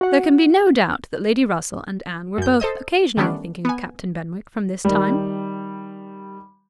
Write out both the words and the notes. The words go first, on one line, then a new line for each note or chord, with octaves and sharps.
There can be no doubt that Lady Russell and Anne were both occasionally thinking of Captain Benwick, from this time.
F#4 F#5
F#2 G6
A4 C5 D#5 D#6
D#3 G3 A3 B3 C#4 D4
B3 G#5
D#3 G3